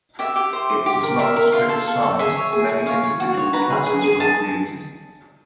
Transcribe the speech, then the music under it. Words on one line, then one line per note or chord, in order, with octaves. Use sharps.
It does not restrict size-many individual classes were created.
G4 E5
G4
C5
C5
G4
A#4
A#4 E5
A#4
F4 F5
A4
A4
A4
G#4 E5
C#5
G#4
G#4
C#5 F5
C#5
F#4
C#5
B4 A#5
G#4
G#4
G#4
G#4 A5